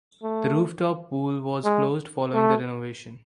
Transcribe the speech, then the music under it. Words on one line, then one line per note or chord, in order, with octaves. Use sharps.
The rooftop pool was closed following the renovation.
A3
G#3
A3